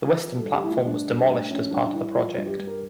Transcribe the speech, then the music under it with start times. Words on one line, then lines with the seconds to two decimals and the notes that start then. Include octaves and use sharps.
The western platform was demolished as part of the project.
0.21 F3
0.38 A4
0.43 G2
0.53 G4
0.63 A3 E4
0.71 F4
0.86 G2 D4
1.07 G2
1.28 A3
1.50 F3 C#4
1.71 G2 D4
1.86 D4
1.93 G2 E4
2.14 F3 F4
2.35 G2
2.46 G4
2.57 G2
2.67 A#4